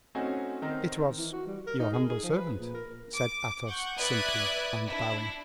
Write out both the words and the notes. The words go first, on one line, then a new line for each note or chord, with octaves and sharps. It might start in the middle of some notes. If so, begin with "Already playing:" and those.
"It was your humble servant," said Athos, simply, and bowing.
A3 C4 C#4 D#4 F#4 G#5
D#3 C4 D#4 A#4
E3
F#4
G3
A#4
D#4
G#4
G#4
F3
B4
A#2
A#4
D6
F#5 C#6 G6
B4 D5 E5 D#6 F#6 G#6
D4 E4